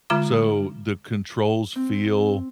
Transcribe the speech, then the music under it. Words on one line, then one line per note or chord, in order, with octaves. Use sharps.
so the controls feel
D3 G#3 F4 A#5 D6
C4